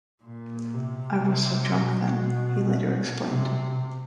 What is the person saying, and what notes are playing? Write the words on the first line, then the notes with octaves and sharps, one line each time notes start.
"I was so drunk then," he later explained.
A#2
C3
C3
B2
C3